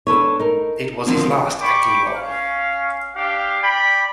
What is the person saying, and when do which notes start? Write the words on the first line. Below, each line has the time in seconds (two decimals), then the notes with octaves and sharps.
It was his last acting role.
0.07 D4 A4 B4 C#5
0.39 D#4 A#4
1.06 D3 D#3 F3 C4 D4
1.61 G5 B5 C#6 D6
2.16 C#4 F5
3.15 D4 G4 F5
3.63 D5 G5 B5